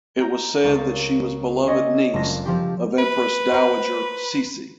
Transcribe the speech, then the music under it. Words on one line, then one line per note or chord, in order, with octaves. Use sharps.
It was said that she was beloved niece of Empress Dowager Cixi.
A#5 G6
C#2 A#3 A6
C4 C#4 D5 D#5
F#1 G#3 A3 D4 F4 A#6
F3 C4 G4
B4
C5 A#5